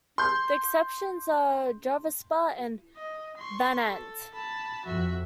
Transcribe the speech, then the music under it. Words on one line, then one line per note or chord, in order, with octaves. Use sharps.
The exceptions are Drvaspa and Vanant.
C6 G6
D#5
C6 C#6
A4
A5 B5
F2 F#4 E5